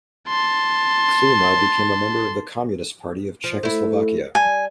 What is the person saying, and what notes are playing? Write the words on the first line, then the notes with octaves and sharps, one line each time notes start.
Klima became a member of the Communist Party of Czechoslovakia.
A5 C6
F3
A3 E4
G3 G#5